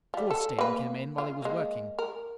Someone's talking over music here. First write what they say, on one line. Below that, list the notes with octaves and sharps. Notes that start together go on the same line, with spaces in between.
Thorstein came in while he was working.
F3 G3
A4
A#3 B4
F4
G#3 A#3
A#4